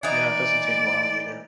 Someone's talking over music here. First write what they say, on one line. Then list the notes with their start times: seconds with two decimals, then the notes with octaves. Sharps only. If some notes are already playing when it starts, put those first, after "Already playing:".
Yeah, it doesn't take long, either.
0.03 E3 D#4 D5